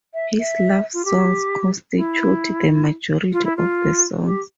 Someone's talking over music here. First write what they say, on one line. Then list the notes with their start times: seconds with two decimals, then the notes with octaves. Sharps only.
His love songs constitute the majority of the songs.
0.13 E5
0.39 E5
0.93 F4
1.04 G4
1.95 E4
3.32 F4
3.44 E4
3.56 F4
4.24 G4